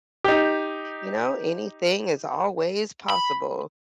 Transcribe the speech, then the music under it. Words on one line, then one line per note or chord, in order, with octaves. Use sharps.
you know, anything is always possible.
D#4 G4
B5